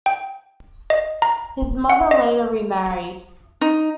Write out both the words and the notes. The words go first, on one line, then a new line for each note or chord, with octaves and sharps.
His mother later remarried.
G5
D#5
A#5
F#5
D#5
D#4